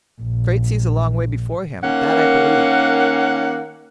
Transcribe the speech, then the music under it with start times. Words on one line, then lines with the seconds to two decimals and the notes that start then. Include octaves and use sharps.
The Frate sees a long way before him; that I believe.
0.21 A#1
1.84 D#3 A#3 C#4 F#5